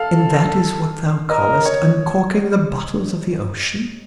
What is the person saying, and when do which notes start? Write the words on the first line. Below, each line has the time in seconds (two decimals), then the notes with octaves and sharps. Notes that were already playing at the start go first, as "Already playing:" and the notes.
"And that is what thou callest uncorking the bottles of the ocean?"
Already playing: A4 F5
1.30 A#4 D#5
1.66 C#5